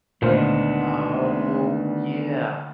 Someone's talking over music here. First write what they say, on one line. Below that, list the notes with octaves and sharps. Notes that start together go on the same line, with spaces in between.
Oh, yeah.
D2 A#2 D#3 G#3 B3 D4 C5 F5